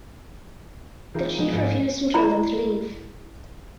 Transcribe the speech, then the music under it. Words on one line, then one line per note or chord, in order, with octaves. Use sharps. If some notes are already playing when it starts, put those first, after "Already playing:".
The chief refused and told them to leave.
E3 D#4 F4 G4 G#4 A#4
F3 G#3 B3
G#2 A3 B3 C4 G#5 A6
E4 D5 A#5 B5